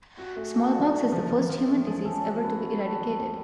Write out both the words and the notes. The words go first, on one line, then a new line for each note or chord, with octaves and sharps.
Smallpox is the first human disease ever to be eradicated.
F#4 G4
A3 G#4
F#4 A4
A3 D5
C#4
F3
F3
F3
A3 C#5
F3 G#4
F3 A4
F#4 A4
C#4 B4
F#4
F#4 A4
F3
F2 G4